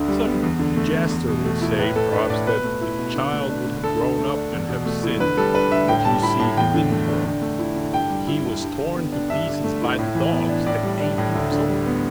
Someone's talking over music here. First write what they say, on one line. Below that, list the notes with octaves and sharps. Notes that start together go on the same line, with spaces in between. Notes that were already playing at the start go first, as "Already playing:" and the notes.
Some jester will say, perhaps, that the child would have grown up and have sinned, but you see he didn't grow up, he was torn to pieces by the dogs, at eight years old.
Already playing: D2 D3
G3
B3
E2
D3
A3
E2
E2
B2
A3
E4
A2 B4
A3 A4
D4 B4
A2 D5
B2 B4
A3
E4
B2
D3
A3
D4
D3
D2 A4
D3
A3
D4
E2
B2
A3
E4
D3 B4
G3 A4
D4 B4
D3 E5
A2 G5
G3 A5
E4 B5
A2 A5
E2 G5
D3
A3
D4
D3
A3
E4
D3
G2 G5
G3
E4
G2
G2
D3
B3
D4
G2 E5
D3
A3
E4
A2
E3
B3
D4
A2 D5
G3
D4
A2
D2
D3
G3
B3